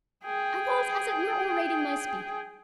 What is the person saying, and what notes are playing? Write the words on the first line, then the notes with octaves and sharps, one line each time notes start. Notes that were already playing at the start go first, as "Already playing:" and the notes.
I was, as it were, orating my speech.
G#4 G5